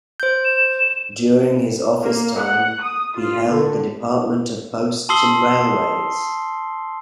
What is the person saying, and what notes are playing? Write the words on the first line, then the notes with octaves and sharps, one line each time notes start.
During his office time he held the Department of Posts and Railways.
C5 G6
E7
A#3
F#5
D#6
F4
D3
A5 C6 D#6 E6 C7 G7